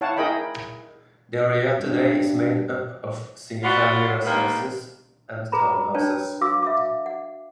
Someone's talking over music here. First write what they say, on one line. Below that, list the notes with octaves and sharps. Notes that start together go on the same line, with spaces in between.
The area today is made up of single-family residences and townhouses.
E4 C#5 F5 F#5 A5
E4 G#4 A#4 D#5 G5 B5
G2
B3 F4 F#4 D5 F#5 B5
D#3 G3 A#3 B3 D4 C5
G#4 B4 A#5 B5
D4 B4 C#5 G5 A5
F#4 F5 D6 E6
E5 F5 D6
F#5